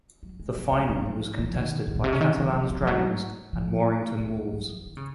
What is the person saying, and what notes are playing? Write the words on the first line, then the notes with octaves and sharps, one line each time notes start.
The final was contested by Catalans Dragons and Warrington Wolves.
F#3
G#3
F#3
G#3
F#3
F3
F3
D#3
G#2
A#2
C3
C#3
D#3
F3
F#3
F#3
F3
F#3
F3
D#3
F2
F2
F#2
D#3
C#3